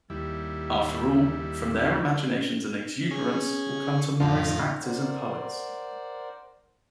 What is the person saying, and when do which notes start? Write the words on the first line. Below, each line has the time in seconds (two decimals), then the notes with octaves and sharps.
After all, from their imaginations and exuberance will come tomorrow's actors and poets.
0.10 D#2 G3 E4
3.11 C#4 G#4
4.20 F2 A2 D#3 F4
4.83 A#4 C5 D5 F#5